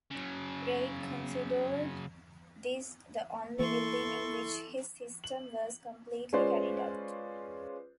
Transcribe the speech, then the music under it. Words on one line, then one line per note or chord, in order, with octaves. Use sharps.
Reid considered this the only building in which his system was completely carried out.
C#3 F#3
E3 A#3 E4 A4 C6 C#6
F#7
G#3 C#4 F4 B4 C5 D5